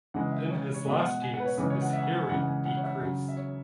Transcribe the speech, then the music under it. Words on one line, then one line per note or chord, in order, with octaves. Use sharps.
In his last years his hearing decreased.
C#3 E3 G#3 F#5
E5
C#5
C#5
B2 G#3 E5
F#5
G#5
F#5
B4
C#5
C#3 E3 G#3 B4
C#5
F#5
E5
F#5
G#5
C#3 E3 G#3 F#5
F#5
G#5
F#5
C#5
E5
C#3 F#3
E5
C#5